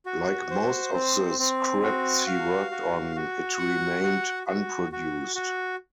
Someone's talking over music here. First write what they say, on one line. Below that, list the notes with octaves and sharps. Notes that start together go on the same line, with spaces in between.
Like most of the scripts he worked on, it remained unproduced.
F#4
C5
C4
C4
F#4
F5
F#4
F#4
F#5
F#4
F#4
F#4
F#4